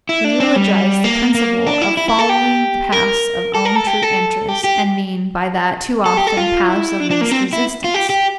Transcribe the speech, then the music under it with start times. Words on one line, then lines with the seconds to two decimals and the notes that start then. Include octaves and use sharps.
We eulogize the principle of following the paths of own true interest and mean by that too often paths of least resistance.
0.09 E4
0.24 D4
0.40 C4
0.56 G3
1.04 A#3
1.34 A#3
1.67 D4
1.81 E4
1.97 E4
2.09 E4
2.19 A4
2.29 G4
2.92 A#4
3.54 A4
3.65 A#4
3.76 A4
3.87 G4
4.03 A4
4.48 G4
4.64 G4
6.06 A4
6.17 G4
6.27 A4
6.37 F4
6.69 E4
7.00 D4
7.11 D4
7.21 A#3
7.31 C4
7.53 E4
7.84 F4
7.94 G4
8.10 G4